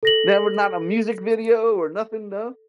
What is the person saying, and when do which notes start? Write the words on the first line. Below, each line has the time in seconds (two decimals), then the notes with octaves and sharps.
Never not a music video or nothing, no?
0.03 A4 A#6 F#7